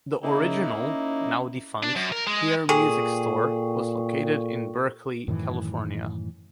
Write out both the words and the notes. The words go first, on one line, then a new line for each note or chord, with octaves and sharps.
The original, now-defunct Hear Music Store was located in Berkeley, California.
C#3 A#3 D#4 E4
C#4
D4
F#2
A#4
G#3
A#2 G#4 A4 G5 C#6
F#2 A2 D#3 E3